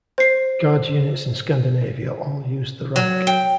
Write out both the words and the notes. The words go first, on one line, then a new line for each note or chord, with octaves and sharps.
Guards units in Scandinavia all use the rank.
C5 C7
F#3
G5